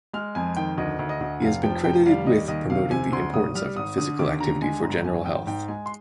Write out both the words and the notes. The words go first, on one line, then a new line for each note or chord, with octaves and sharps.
He has been credited with promoting the importance of Physical Activity for general health.
G#3 F6
F2 G#5
D#3 G5
D2 D#5
D2
D#5
D2
F1 F5
F3 G5
F1 G5
G3 F5
D#2 D#5
D#2 D#5
C3 F5
C3 G#5
D2 C6
G#1 D#6
G3 F6
G#1 D#6
D3 D#6
D#2 D6
D3 A#5
G#3 G#5
G1 A#5
F2 G#5
G#1 G5
G#2 G5
G#3 G#5
C6